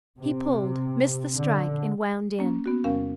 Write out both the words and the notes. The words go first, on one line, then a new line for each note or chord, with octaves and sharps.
He pulled, missed the strike, and wound in.
C3
D3
A#3 C#4
B3 F#4
E2 C3 G3 C#4 A#4 F5